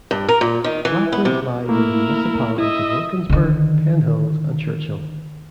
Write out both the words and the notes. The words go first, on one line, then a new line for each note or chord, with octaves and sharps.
Blackridge lies in the municipalities of Wilkinsburg, Penn Hills and Churchill.
G2
A#4
A#2
D#3
E3
B3
C3
A3 A#3 E4 A#4
E4 D#5 E5
D3 D#3